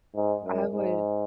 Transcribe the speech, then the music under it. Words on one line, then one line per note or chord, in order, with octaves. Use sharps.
I would
G#2
F#2
G#2